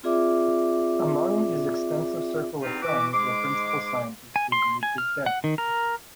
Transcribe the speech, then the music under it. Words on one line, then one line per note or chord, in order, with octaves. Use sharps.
Among his extensive circle of friends were principal scientists who grieved his death.
C4 F4 G#4 D5 E5 D6
E2 C4 D#4 F4 G4
E3 F#4 D6
G#2 G#3 C6 D6
G#5
C6
G#5
F6
F#5
D#3
A#4